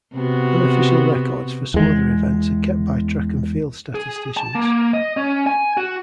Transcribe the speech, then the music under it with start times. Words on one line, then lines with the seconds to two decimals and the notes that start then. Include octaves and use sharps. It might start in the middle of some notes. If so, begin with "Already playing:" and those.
Unofficial records for some other events are kept by track and field statisticians.
0.14 C3 B3 F#4
1.74 E2 G#3
3.95 G#4
4.37 A5
4.55 A#3
4.94 D#5
5.17 C#4
5.47 G#5
5.77 F#4